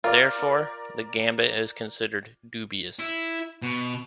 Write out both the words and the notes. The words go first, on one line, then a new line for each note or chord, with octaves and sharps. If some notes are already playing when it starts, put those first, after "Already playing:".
Therefore, the gambit is considered dubious.
F4 A#4 D5
E4
B2